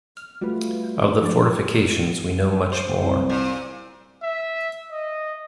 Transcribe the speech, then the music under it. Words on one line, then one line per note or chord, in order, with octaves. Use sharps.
Of the fortifications we know much more.
F6
G3 A3 F4 F#4 B4
F3 D4 D5
C5
C2
A#2
E5
D#5